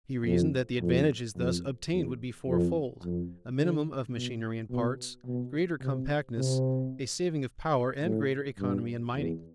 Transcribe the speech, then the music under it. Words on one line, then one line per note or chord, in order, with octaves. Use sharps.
He reasoned that the advantages thus obtained would be fourfold: a minimum of machinery and parts; greater compactness; a saving of power; and greater economy in mining.
F2
F2
F2
E2
F2
F2
D3
B2
B2
B2
C3
C3
A2
G2
E2